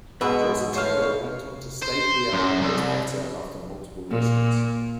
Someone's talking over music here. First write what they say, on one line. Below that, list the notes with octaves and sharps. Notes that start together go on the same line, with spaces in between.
Jason Taylor went on to state the album gets better after multiple listens.
G#2 B2 G#3 B3 E5 F#5
A3 C5 C#5 F5
C5
F#2
C2
A#2